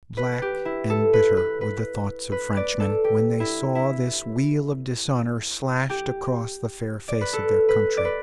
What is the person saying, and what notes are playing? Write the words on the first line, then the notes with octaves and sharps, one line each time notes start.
Black and bitter were the thoughts of Frenchmen when they saw this weal of dishonour slashed across the fair face of their country.
B4
G4
E4
A4
B4
B4
B4
B4
D5
A4
G4
E4
E4
G4
D5
B4
A4
B4
D5
B4